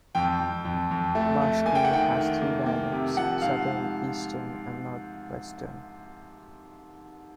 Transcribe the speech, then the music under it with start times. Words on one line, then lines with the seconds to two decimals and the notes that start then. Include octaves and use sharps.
Bashkir has three dialects: Southern, Eastern and Northwestern.
0.15 F2 G5
0.40 F2
0.65 F2
0.91 F2
1.15 A3
1.41 A3
1.65 A#3 G#5
1.75 G5
1.84 F#5
1.91 D#3 G5
2.16 D#3
2.41 A#3
2.66 A#3
2.92 C3
3.16 F3 F#5
3.42 G#2 F5